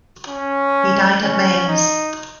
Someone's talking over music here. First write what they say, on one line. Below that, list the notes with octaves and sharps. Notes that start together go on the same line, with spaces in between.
He died at Mainz.
C#4
C#4
D#4